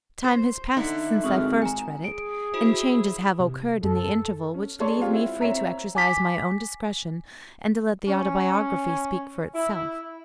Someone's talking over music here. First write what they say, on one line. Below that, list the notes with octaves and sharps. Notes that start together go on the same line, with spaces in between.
Time has passed since I first read it, and changes have occurred in the interval, which leave me free to exercise my own discretion, and to let the autobiography speak for itself.
C5
D3 D#4 E4
G#1 C#6 D#6 F6
G#5 A#5
G#4 D7
E4 F#4 C5
C3
F#2 A4
C#4
G#4 A4 C#5 D5 C6 C#6
G#3 C4 F4 G4
E4
C4 C#5 E5 A#5
G#5 D6 B6
C#4
E4